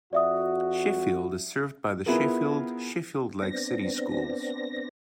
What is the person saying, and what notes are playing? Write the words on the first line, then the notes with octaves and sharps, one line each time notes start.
Sheffield is served by the Sheffield-Sheffield Lake City Schools.
F2 F#4 D5 E5 D#6
B3 E4 F4 G#4 A#4
B3 C4 D4 A#6